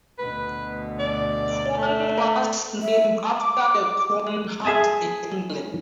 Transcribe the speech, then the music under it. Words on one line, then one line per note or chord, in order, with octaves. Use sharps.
Quorn was named after the Quorn Hunt in England.
D2 B2 B4
D5
A3
E5
D6
G#4 E5 G#5 A5